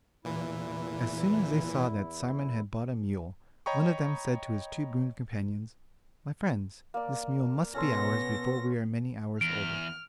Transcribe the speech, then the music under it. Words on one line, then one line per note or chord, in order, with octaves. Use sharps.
As soon as they saw that Simon had bought a mule, one of them said to his two boon companions, 'My friends, this mule must be ours before we are many hours older.'
E2 A#2 E3 E4
C#5 D#5 G5 A#5 B5 C#6
A#3 D5
B2 B3 C#4 A4 C6 A#6
E2 F6 D7